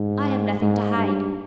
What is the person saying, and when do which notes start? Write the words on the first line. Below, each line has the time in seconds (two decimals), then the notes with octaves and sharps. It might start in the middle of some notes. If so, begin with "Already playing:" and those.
I have nothing to hide.
Already playing: G#2
0.61 G#2
0.95 G2